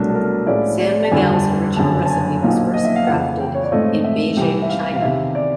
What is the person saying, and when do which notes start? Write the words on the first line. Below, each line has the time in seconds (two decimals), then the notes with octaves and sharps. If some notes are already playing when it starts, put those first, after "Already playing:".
San Miguel's original recipe was first drafted in Beijing, China.
Already playing: C2 B2 F#3 A3 D4 A#4
0.09 A4
0.14 A#4
0.46 A2 F3 G#3 C#4 E4 D5
0.79 D5
1.04 A5
1.11 G1 F2 D3 G3 G#5
1.34 A5
1.77 F#1 F#2 D3 A5
2.06 A5
2.10 G#5
2.42 B1 A#2 F3 A#3 D#4
2.74 D#5
2.85 E5
2.96 F5
3.07 F2 C#3 E3 F#5
3.40 G5
3.54 C#5
3.63 D5
3.72 G#2 F3 A3 C4 D#5
4.04 E5
4.37 C2 C3 E3 G5
4.62 E5
4.70 F5
4.95 F5
5.02 E2 C3 D#3 E5
5.35 D5